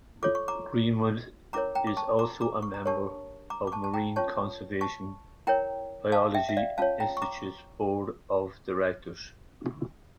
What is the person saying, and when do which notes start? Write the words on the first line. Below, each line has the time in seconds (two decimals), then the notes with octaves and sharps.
Greenwood is also a member of Marine Conservation Biology Institute's Board of Directors.
0.23 F4 A4 C#5 D6
0.35 C#6
0.48 A#5 D6
1.53 C#4 E4 A#4 C#5 A#5 D6
1.75 G5 A#5
1.87 D6
1.97 A5 C#6
2.19 A#5 D6
2.41 A#5 D6
2.62 C#6
2.74 A#5
2.85 D4 G4 A#4 C#5 A5 C#6
3.50 A#5 D6
3.67 D6
3.72 A5 C#6
3.84 A5
3.94 G5 A#5
4.16 C#4 F4 C#5 A5 C#6
4.81 A5 C#6
5.47 E4 A#4 C#5 G5 A#5
6.12 F5 A5
6.34 E5 G5
6.49 E5
6.57 D5 F5
6.78 C#4 F4 C#5 F5 A5
7.00 G5 A#5
7.17 C#6
7.22 A#5 D6